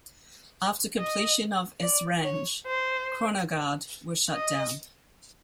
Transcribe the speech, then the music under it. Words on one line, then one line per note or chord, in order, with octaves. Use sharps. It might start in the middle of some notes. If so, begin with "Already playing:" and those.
After completion of Esrange Kronogard was shut down.
D#5
D5
C#5
C5
D#5